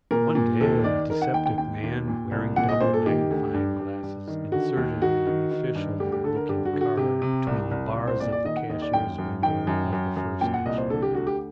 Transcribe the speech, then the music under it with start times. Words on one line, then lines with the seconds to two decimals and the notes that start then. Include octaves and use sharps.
One day a dyspeptic man, wearing double-magnifying glasses, inserted an official-looking card between the bars of the cashier's window of the First National Bank.
0.11 A#2 A#4
0.35 A#2
0.61 D#2 A4
0.84 D#3 D5
1.10 D#3 A#4
1.22 F#5
1.33 D#2 G5
1.46 G5
1.58 D#2 G5
1.83 D#2
2.08 A#2
2.31 C2
2.56 A#2 F#5
2.69 D#5
2.81 A#2 C5
2.94 A4
3.06 D#3 G4
3.31 D2
3.54 G2
3.79 G2
4.03 G2
4.27 D#3
4.52 D3 F#4
4.77 D#2
5.02 D#3 F#4
5.27 D#3
5.51 D#3
5.75 G2
6.00 D2 G4
6.12 G4
6.24 D3 A4
6.36 A#4
6.49 G2 G4
6.65 F#4
6.73 D3
6.81 F#4
6.97 C3 G4
7.22 C3
7.47 C2
7.71 C2
7.95 C2
8.07 C5
8.20 A#2 D5
8.32 D5
8.44 D#3 D#5
8.56 F#5
8.69 D#2 D#5
8.82 D5
8.93 F#2 G5
9.18 F#2
9.42 D#3 G5
9.67 F#2
9.93 F#2
10.17 F#2
10.41 A#2 G5
10.54 F#5
10.66 C2 D#5
10.78 C5
10.90 D3 A4
11.02 G4
11.15 D2 F#4
11.27 G4